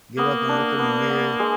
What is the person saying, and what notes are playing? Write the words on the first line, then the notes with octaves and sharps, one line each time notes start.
get up and look in the mirror,
A#3 B3
D4
B3
B3
G#3